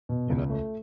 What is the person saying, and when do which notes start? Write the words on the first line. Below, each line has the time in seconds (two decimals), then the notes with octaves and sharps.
you know?
0.09 B2
0.30 C#2
0.50 A3